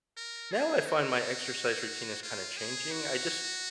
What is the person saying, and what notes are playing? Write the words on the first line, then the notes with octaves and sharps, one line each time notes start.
now I find my exercise routine is kinda changing, I just
A#4
G#4
F#4
F4
G#4
F#4